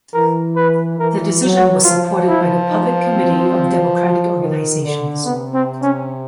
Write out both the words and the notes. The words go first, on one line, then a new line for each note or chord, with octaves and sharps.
The decision was supported by the Public Committee of Democratic Organisations.
E3 A#4
B4
E3 A#4
F#3
F#4
F3 F4
E4
D#4
C4
D#3
D3
C3 B3
C4
C#4